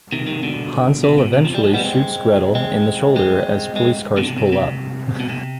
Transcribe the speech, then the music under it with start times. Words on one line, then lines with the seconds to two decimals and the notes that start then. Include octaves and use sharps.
Hansel eventually shoots Gretel in the shoulder as police cars pull up.
0.12 C3 D#3
0.27 C3 D#3
0.43 B2 D3
1.04 C3
1.18 B2
1.33 C3
1.45 F3
1.54 G3
1.63 F3 G#3
1.74 G3 B3
1.84 G#3 C4
2.55 G#3 C4
3.16 G#3 C4
3.76 G#3 C4
4.17 B2 D3
4.27 C3
4.38 C3
4.53 C3
5.20 B2
5.29 C3